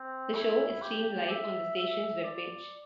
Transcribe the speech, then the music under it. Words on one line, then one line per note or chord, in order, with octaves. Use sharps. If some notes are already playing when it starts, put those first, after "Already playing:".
The show is streamed live on the station's webpage.
Already playing: C4
E4
G4
E5
E5
D5